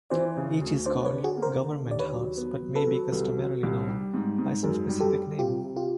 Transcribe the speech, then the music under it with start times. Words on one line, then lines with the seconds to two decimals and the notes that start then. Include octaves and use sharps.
Each is called "Government House", but may be customarily known by some specific name.
0.10 E3 C5 D5
0.37 C#3
0.61 D2
0.86 D4 C5 D5
1.05 B4 C#5
1.11 D3
1.24 F#4 G#4
1.37 A#3
1.42 A#4 C5
1.62 D3
1.86 D#2 D5
1.99 B4 C#5
2.12 F#3
2.37 B3
2.62 F#3
2.75 A4 B4
2.87 F#3
3.12 C2
3.38 F#3
3.63 C2
3.88 G3
4.14 G#2
4.38 G#2
4.63 F#2 G#4 A#4
4.88 G3
5.00 G4 A4
5.13 G3
5.39 C3 F4 G4
5.64 C3
5.76 F4 G4